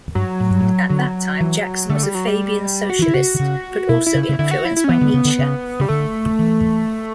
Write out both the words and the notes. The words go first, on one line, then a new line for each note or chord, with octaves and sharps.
At that time Jackson was a Fabian socialist, but also influenced by Nietzsche.
G2 F#3
A2
G2
A2
D3 F#3
E3
D3 A3
G3
F#3
G3
F#4
E3
E4
D3
C#3 F#4
D3
C#3
B2 E4
E4
C#3
E4
C#3
D3 E4
F#4
E4
E4
C#4
E3 B3
D3
C#3
D3
C#3
C#3 G3
D3 A3
E3